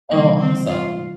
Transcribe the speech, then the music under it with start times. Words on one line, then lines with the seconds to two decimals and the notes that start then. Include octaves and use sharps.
Oh, awesome.
0.11 C3 E3 G3 A#3
0.41 C4
0.68 F4